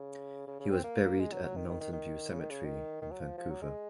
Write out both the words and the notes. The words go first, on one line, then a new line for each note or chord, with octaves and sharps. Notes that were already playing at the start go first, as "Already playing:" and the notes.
He was buried at Mountain View Cemetery in Vancouver.
Already playing: C#3
C#3
C#3
C4
A#3
G#3
F#3
F#3
D#3
D#3
D#3
D#3
C#3
D#3
C#3
D#3
D#3
F#3
F3
F3
F#3
G#3